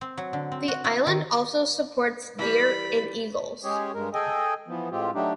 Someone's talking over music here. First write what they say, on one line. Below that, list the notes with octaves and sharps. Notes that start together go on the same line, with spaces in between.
The island also supports deer and eagles.
C4
F#3
D3
C4
F#4
E4
D#3
E3 G3 B5
G#3 C#4 G4 G#4 C#5
G2 G#3 A#4
G#4 A4 D#5 G5 G#5
E3 F3 B3
A2 G#3 C4 F4 G4
F#3 A3 D4 D#4 G4